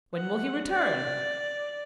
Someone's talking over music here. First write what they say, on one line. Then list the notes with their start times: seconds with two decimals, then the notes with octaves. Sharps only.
"When will he return?"
0.15 F#5
0.70 D5